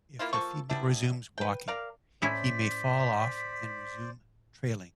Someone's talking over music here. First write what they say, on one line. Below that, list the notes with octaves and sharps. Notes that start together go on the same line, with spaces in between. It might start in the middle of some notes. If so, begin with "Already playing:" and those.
If the female resumes walking, he may fall off and resume trailing.
E3 A#3 E4 F4
F3 A#3 A4 C#6
G3 B3 D4 E4
B4 G5
A#4 D5 F5
A2 C#4 E4 C5 D5 B6